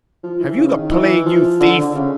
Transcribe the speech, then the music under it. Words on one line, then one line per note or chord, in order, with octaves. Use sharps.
Have you the plague, you thief?
F3
E3
C#3
D#3
E3
F3
D3
D3
C#3